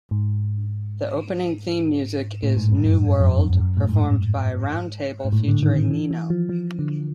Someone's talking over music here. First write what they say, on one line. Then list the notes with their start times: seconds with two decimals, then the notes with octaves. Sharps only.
The opening theme music is "New World", performed by Round Table featuring Nino.
0.11 G#2
2.43 A2
2.57 G#2
2.72 G2
2.86 F#2
3.20 F2
3.39 F#2
3.50 F2
3.59 F#2
3.77 A2
3.88 G#2
5.25 G#2
5.33 A2
5.48 D3
5.63 D#3
5.77 D#3
5.91 E3
6.11 E3
6.30 F3
6.49 F3
6.79 D3